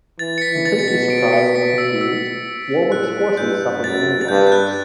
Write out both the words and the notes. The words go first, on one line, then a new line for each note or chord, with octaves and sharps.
Completely surprised and confused Warwick's forces suffered many losses.
E3 A6
C#7
B6
E3
A6
B2 C#7
B6
D7
C#7
B6
E6
E6
A2 F#6
G2 G6
F#2 A6
A6
G2 G6
G6
F#6